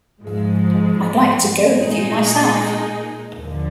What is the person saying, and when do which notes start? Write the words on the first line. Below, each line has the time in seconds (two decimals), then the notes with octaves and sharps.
I'd like to go with you myself.
0.22 G#2 F3 G#3
1.79 A#2 G#3 D#4 G#4
3.36 D#2 D3 F3